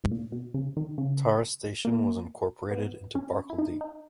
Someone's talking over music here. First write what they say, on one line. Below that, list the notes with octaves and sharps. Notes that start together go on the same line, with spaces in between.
Tara Station was incorporated into Barcaldine.
G#2
A#2
B2
C#3
D#3
C#3
A#3
B3
C#4
E4
D#4
D#4